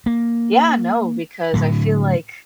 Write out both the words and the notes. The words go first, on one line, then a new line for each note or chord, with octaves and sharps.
Yeah, no, because I feel like,
A#3
A2 D3 F#3